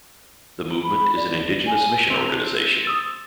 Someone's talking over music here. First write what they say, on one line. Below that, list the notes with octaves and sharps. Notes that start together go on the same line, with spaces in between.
The movement is an indigenous mission organization.
B5
D5
G#5
C4 F7
D#6 E6 A6